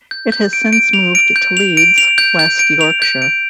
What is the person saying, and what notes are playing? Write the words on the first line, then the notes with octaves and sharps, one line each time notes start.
It has since moved to Leeds, West Yorkshire.
G6
G6
D7
D7
F7
D7
G6
F7
D7
F7
G6
G6
D7
F7
G6
D7